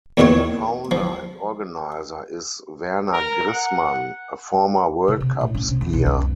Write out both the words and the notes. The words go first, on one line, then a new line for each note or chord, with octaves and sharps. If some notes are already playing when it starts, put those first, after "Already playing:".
The founder and organiser is Werner Grissmann, a former World Cup skier.
E2 A#2 D#3 F4 C#5
F3
A#4
F#5
C#3
C3
A2
C#4
C3
E2
B1
C#2
F2